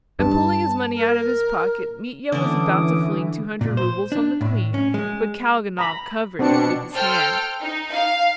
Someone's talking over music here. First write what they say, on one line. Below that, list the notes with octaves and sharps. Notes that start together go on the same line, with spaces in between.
And pulling his money out of his pocket, Mitya was about to fling two hundred roubles on the queen, but Kalganov covered it with his hand.
G2 A5
A#4
D3 E3 C#4 D4 D6 D#6
A#2
C5
D4
A2
C#4
G#3
A#5 B5
B2 C4 D4 C#7
A4 C5 G5 F6
D#4
F5